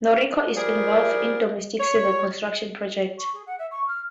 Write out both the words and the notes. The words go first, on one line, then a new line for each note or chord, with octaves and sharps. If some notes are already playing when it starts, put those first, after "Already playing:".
Norinco is also involved in domestic civil construction projects.
F3 G3 G#4 A#4 D5
C#5
C#6
G#4
F#5
E5
C#6
F6